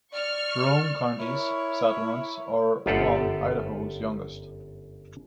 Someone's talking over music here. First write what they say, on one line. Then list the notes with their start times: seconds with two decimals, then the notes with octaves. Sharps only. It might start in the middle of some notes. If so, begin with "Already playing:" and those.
Jerome county's settlements are among Idaho's youngest.
0.12 D5 C#6 F6
1.19 E4 A#4 C#5
2.86 G1 F#2 F4 G4 A4 F#5